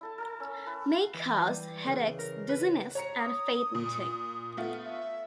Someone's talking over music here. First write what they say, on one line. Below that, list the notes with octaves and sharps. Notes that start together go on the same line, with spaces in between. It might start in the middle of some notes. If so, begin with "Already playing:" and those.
May cause headaches, dizziness and fainting.
E4 A4 A5
A4 A#4 A5
C#4
E4 B4
F4
E3
G3
C#3
A#4
B4
C#5 A#5 C#7
D#6
A#2
A3 B3 F4
E5